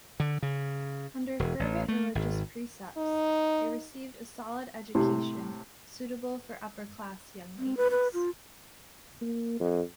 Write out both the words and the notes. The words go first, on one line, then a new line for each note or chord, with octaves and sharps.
Under fervent religious precepts, they received a solid education, suitable for upper-class young ladies.
D3
C#3
E1
A1
A3
G#1
D#4
A2 C3
C4
B4
B4
F4
A#3
F2